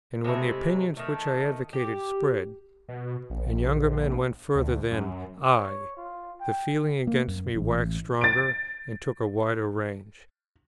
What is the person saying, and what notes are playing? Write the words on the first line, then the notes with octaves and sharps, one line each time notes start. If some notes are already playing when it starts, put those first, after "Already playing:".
And when the opinions which I advocated spread, and younger men went further than I, the feeling against me waxed stronger and took a wider range.
C3 G#3 A3 E4
D#3 A3
G4
B2
A#1
D2
F#2
C#5
F4
G5
A#3
F#2
A1
A6 D7